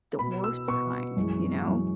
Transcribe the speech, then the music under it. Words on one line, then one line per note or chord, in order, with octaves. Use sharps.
The worst kind, you know?
B2 B3 B5
E6
B2 B3 C#6
F#2 E3 G#3
F#2 E3 G#3